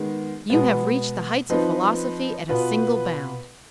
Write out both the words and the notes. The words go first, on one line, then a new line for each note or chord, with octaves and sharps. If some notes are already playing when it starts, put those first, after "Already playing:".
"You have reached the heights of philosophy at a single bound."
Already playing: D#3 G#3 B3
B2 G#3 B3
F3 C4 D#4 B4
B2 B3 F4 B4